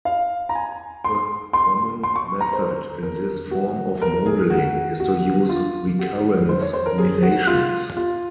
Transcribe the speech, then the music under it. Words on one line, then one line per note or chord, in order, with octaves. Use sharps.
A common method in this form of modelling is to use recurrence relations.
F5
A#5
G#5
C6
C6
C6
C#6
A#5
C5
A#4
F#4
A#4
G#4
F#4
F#4
F4
F#4
C5
C#5
C5
A#4
G#4
F#4
F4
F4